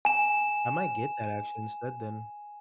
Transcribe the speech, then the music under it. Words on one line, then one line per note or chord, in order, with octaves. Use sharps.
I might get that actually instead then,
G#5 E7